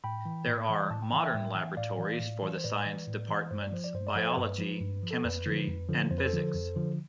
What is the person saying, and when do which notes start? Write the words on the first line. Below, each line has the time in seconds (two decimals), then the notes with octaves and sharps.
There are modern laboratories for the science departments: Biology, Chemistry and Physics.
0.04 A2 G5 B5
0.25 E3
0.47 A2
0.69 E3
0.90 A2 A5
1.02 G5
1.12 E3 F5
1.25 E5 G5
1.34 A2
1.55 E3
1.77 A2 D5 F5
1.98 E3
2.20 A2
2.42 E3
2.56 C5
2.64 A2 B4 D5
2.86 E3
3.07 A2
3.29 E3
3.51 G2 C5
3.62 D5
3.72 F3 C5
3.84 D5
3.94 G2 C5
4.07 D5
4.16 F3 A4 C5
4.37 G2 B4
4.59 F3
4.81 G2
5.03 F3
5.11 A4
5.24 F2 B4
5.46 D3 F3
5.67 F2
5.89 D3 F3
6.11 F2 C5
6.18 B4
6.26 A4 C5
6.33 D3 F3
6.54 F2
6.76 D3 F3